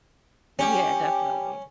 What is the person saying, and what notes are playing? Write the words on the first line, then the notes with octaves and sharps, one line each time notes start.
Yeah, definitely.
G3 C#4 G4